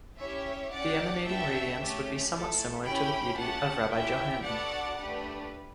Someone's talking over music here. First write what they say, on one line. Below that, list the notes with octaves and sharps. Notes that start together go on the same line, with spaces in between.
The emanating radiance would be somewhat similar to the beauty of Rabbi Johanan.
C#4 E4 G4 C#5 E5
C#4 G4 D5 F#5
B3 D4 F#4 A4 E5 G5
A3 C#4 G4
A3 E4 A4
C#4 E4 G4 G5 B5
A3 C#4 G4 F#5 A5
C#4 E4 G4 E5 G5
B3 D4 F#4 A4 D5 F#5
A3 D4 G4 B4